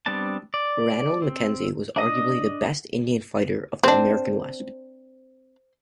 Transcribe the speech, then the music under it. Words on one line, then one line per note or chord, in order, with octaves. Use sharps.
Ranald Mackenzie was arguably the best Indian fighter of the American West.
G3 B3 C4 D4 A5
D5
C4
D4 D#5 D#6
C4 D4 C5